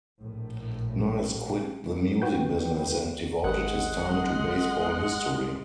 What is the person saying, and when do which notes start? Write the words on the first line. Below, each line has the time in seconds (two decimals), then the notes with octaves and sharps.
Nice quit the music business and devoted his time to baseball history.
0.20 A#1 A2
2.22 F#4 B4 G5
3.44 G#1 G#3 F#5